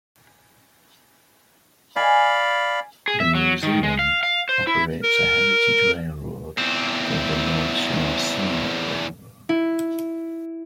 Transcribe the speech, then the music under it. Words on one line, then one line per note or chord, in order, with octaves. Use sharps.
The museum operates a heritage railroad called the North Shore Scenic Railroad.
D5 F5 G#5 B5
G#4
E5
F#3
D#3
G#3
F5
F5
C5
E4
A#4
E2 C4
E4